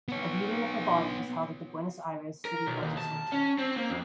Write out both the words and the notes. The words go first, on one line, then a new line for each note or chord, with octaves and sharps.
A viewing of her body was held at the Buenos Aires City Legislature.
B3 C#5
A#4
B1
D#2
A5
C#4
C4
A#3
F2